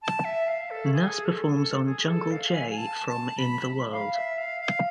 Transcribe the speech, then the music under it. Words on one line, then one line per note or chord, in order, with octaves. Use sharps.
Nas performs on "Jungle Jay" from "In the World".
A5
E5
F5
A4
G#4
A4
A4
G#4
A4
F5
F5
G#5
G#5
A5
A5
B5
F5
E5
F5
F5